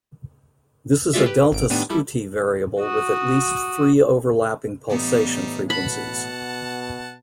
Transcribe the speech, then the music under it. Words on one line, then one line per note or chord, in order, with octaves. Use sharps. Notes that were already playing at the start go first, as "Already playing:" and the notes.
This is a delta scuti variable with at least three overlapping pulsation frequencies.
G#3 C#4 F4 F#4 D5 E5
G4 B4
G#1 D7
A2 D#3 B3 D4 G4 D#7
G3 E4 A4
F#4 D#6
A2 E3 G3 B3 D#4
B2 F#5 A5 B5